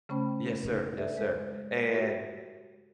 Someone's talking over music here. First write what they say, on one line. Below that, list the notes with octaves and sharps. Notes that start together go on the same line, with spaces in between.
yes, sir, yes, sir. And
C#3 A3 C#4 C5 G5 B5
D#4
A4 B4 D5 E5
G#3 C5
F#4 G4 A#4 E5